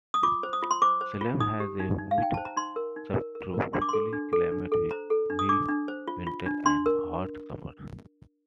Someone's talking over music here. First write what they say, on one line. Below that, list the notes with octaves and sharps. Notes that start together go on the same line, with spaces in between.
Salem has a humid subtropical climate with mild winters and hot summers.
D#6
F4 D6
C5
D#6
F4
C6
C5 D6
C5
F4
D#4 D#6
G4
D#4
D#4
F5
D#4 G5
C5 A5
A#5
D#4 C6
A#4
D#4
A#4
A#4
A#4
D4 C6
D6
A4 C6
D4
A4
D4
A4
C5 A#5
A4
D4
D#6
D4 D6
D4
C5
F4
F4
D4
D4 C6
A#4